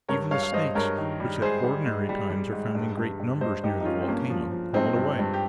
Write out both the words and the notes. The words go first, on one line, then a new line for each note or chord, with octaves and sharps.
Even the snakes, which at ordinary times are found in great numbers near the volcano, crawled away.
G2 A#4 C#5
G2 C#5 F5
F5
G2 C5 D#5
G2 A#4 C#5
D#3
G3
G#2 G#4 C5
G3
G#2
G3
G3
G#2
G2
G2
G2
G2 C5 D#5
G2 D#4 G4
D#4
F3 C#4 F4
C4
G2 A#3 C#4
F3
F3
G2 C4 D#4
G2
G2
G4